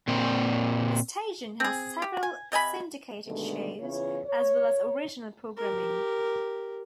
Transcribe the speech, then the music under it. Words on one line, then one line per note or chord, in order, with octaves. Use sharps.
The station has several syndicated shows as well as original programming.
A#2 C4
C4 G#4
G4
G#5
C3 D#5 G#5 B5
G2 B2 D3 D#3 G#3 A3
E2 C#3 E3 F4 C#5
C#5
G4 A#4